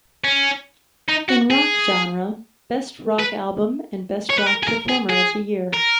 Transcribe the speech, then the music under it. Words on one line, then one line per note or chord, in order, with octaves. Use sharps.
In Rock Genre : Best Rock Album and Best rock Performer of the Year.
C#4
D#4
F#4
G#4
B4
C#5
B4
A#4
G#4
A#4
G#4
G#4
A#4